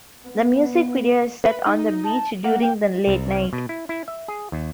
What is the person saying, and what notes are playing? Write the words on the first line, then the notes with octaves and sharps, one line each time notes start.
The music video is set on the beach during the late night.
B3
B4
D#4
A5
A#3 F#5
G5
C2
B2
E4
E4
E5
G#4
D#2